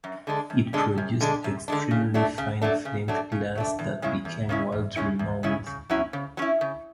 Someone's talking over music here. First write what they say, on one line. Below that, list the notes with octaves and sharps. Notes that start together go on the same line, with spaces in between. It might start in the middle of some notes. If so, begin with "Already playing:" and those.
It produced extremely fine flint glass that became world-renowned.
F#2
D3 G#3 D4
F#2
D3 G#3 D4
F#2
D3 G#3 D4
F#2
D3 G#3 D4
C#3
F#3 A3 D4
C#3
F#3 A3 D4
C#3
F#3 A3 D4
C#3
F#3 A3 D4
E2
C#3 G#3 C#4 E4
E2
C#3 G#3 C#4 E4
E2
C#3 G#3 C#4 E4
E2
C#3 G#3 C#4 E4
C#3
F#3 C#4 E4
C#3
F#3 C#4 E4
C#3